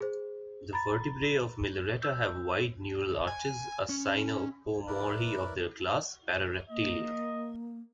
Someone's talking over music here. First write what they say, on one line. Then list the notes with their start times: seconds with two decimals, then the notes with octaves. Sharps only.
The vertebrae of 'Milleretta' have wide neural arches, a synapomorhy of their class, parareptilia.
0.01 G#4 C5
0.73 A#5 B5 A6
2.02 E6 G6
3.27 G#5
3.89 C#4
4.87 E4 A#4 B4 D5
6.70 A#3 D#5